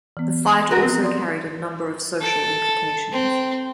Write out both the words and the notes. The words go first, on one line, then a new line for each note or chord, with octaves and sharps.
The fight also carried a number of social implications.
E3 B3
F#4 A#4 B4 F#6
F3 B3 C4
D5 C6 D#6
A4
C4